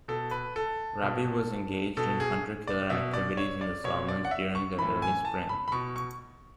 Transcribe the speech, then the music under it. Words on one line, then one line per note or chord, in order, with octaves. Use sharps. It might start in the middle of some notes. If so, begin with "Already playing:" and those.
"Raby" was engaged in hunter-killer activities in the Solomons during the early spring.
B2 A4
B4
A4
B2
B2 A4
G#4
D5
B2 E5
D5
C#5
D5
B2 C#5
D5
F#5
E5
C#6
A2 E3 B5
G#5
A5
B5
B5
B2 C#6
C#6